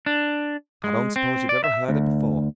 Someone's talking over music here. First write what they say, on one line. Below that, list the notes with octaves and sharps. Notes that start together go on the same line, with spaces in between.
"I don't suppose you ever heard it before."
D4
G#3
C4
D5
E5
D2